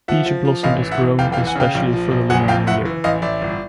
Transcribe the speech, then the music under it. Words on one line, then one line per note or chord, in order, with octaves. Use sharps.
Peach blossom is grown especially for the Lunar New Year.
F3 E5 F#5
F3
F3
A1 D#5 F5
E3
E5 F#5
E3
F1 F5 G5
F5 G5
E3
F#5 G#5
C#3 F5 G5
A#1
F3
A#1
F#1 F#5 G#5
F2 F5 G5
F#1 E5 F#5
E3
A1 D#5 F5
A1 D5 E5
G1